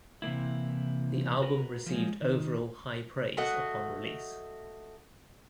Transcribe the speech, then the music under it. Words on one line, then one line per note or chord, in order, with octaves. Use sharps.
The album received overall high praise upon release.
C3 E3 A#3 E4
F#4 A#4 B4
F3 F#3 G#3
D#3
A3 F#4 D#5 F#5